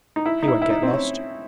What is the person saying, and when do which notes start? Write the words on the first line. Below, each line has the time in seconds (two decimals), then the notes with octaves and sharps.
'He won't get lost.
0.16 D#4
0.26 E4
0.43 D#4
0.48 E4
0.62 E4
0.70 D#4
0.83 C4
0.93 C#4